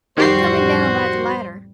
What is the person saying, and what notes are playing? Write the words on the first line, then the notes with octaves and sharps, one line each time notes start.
"I'm coming down by the ladder."
A1 F2 D#3 G3 F#4 G4 C5 C7